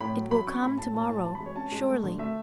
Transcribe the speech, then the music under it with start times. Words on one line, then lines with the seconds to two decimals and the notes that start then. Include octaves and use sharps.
"It will come to-morrow, surely."
0.01 A2 B5
0.15 F#3
0.31 F#3 B5
0.47 C#4 C#6
0.62 A2 B5
0.78 A2 A5
0.93 A2 A5
1.09 E4 A5
1.24 E3 A5
1.35 B5
1.40 G#3
1.46 C#5
1.56 C#4 A5
1.72 G#3
1.87 A3
2.03 D3
2.18 A3 E5